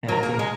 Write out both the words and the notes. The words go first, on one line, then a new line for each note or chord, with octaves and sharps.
And I think
F#3 A#4
A#3
G#3